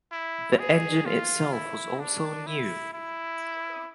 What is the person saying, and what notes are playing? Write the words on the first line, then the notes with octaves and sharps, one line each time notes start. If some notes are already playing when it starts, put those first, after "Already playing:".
The engine itself was also new.
E4
G#4
F4
E4
D4
E4
E4